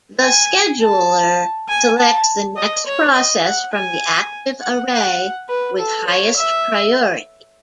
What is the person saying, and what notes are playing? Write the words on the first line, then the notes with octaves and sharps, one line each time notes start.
The scheduler selects the next process from the active array with highest priority.
G#5
A5
G#5
A5
D#5
C#5
D#5
F#5
G#5
F#5
F#5
B4
A4
C#5
E5